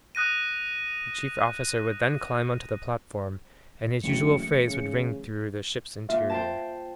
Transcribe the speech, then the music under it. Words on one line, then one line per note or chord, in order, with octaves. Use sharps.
The chief officer would then climb onto the platform, and his usual phrase would ring through the ship's interior.
D#6 F#6 A#6 D#7
F#1 E3 F#3 A3 C#7
C#3
A#2 F4 E5 F5
C5 G5 A5